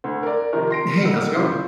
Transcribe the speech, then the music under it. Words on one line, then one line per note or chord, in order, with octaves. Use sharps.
Hey. How's it going?
D2
A#4 D5
C3 D#3 F3 A#4
C6 A#6 D7
D2 D#3 E6
C#3 E4 F4 C5